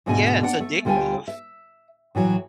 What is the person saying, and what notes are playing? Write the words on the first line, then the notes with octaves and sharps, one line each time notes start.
Yeah, it's addictive.
D2 G#2 B2 D3 A3 G#5
D4 F#5
A3
D2 D3 G3 F4 G5 G#5
E5
A2 E3 F#3